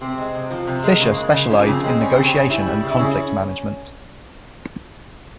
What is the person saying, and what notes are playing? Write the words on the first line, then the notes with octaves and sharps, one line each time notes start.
Fisher specialized in negotiation and conflict management.
C3 C4
G#3
C3
F3
C3
G#3
C#3 A#3
G#3
C#3
F3 C#4
A#3
C#3 C4
G#3 C4
G3 C#4
C4
C#3
C4
C#3 C#4
G3 E4
G3
C#3
E4
C#3 C#4